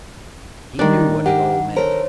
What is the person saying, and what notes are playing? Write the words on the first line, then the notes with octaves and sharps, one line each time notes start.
He knew what it all meant.
D#3 G3 D4
G4 A#4 E5 F#5
A4 A#4 C5 C#5